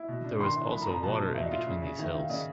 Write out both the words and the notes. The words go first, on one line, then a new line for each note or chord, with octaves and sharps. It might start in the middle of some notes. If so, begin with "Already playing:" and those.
There was also water in between these hills.
Already playing: E4
B2
D4
D#3 C6
E4
F3 B5
A#5
F3
A#5
B2 A5
D#4
B2 E5
D#5
F4 E5
C#3
C#3
D#3 E5
E5
D#3
F5
C#3 D#5